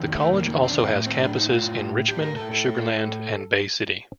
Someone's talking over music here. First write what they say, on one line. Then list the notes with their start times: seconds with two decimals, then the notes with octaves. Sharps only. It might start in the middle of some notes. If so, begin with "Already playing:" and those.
The college also has campuses in Richmond, Sugar Land, and Bay City.
Already playing: F2 C3 D#3
0.13 A3
0.32 F2 C3 D#3 A#3
0.62 C4
0.69 D4
0.77 C4
0.91 A2
1.06 C4
1.20 D4
1.35 D#4
1.49 A2 F4
2.08 A2 G4
2.22 A#4
2.37 A4
2.51 A4
2.66 A2